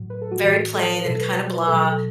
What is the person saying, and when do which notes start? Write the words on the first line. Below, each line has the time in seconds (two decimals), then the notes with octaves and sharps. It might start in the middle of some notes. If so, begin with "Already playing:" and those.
very plain and kinda, blah,
Already playing: A2 F#3
0.10 B4
0.21 A4
0.31 F#4
0.42 A2 E3
0.74 A4
0.84 C#5
0.95 B4
1.05 B2 F#3 A4
1.21 B4
1.52 B4
1.64 B4
1.68 B2 F#3 A4
1.84 A4